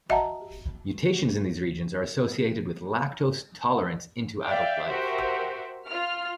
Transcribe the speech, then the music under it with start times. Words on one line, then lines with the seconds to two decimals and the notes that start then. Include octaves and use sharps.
Mutations in these regions are associated with lactose tolerance into adult life.
0.09 F#4 D#5 E5 F#5 A5 A#5
4.45 D5 E5 F5 G5
4.87 F#4 G4 A#4 C5 E5
5.86 F4 F6